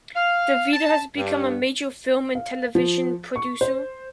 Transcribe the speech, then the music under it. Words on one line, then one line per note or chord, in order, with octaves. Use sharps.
DeVito has become a major film and television producer.
F5
A5
G2
F5
F3
C#6
C5